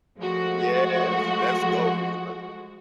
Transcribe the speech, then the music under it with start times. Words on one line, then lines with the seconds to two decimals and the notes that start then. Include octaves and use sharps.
Yes. Let's go. You hu
0.19 F3 G#3 A3 F#4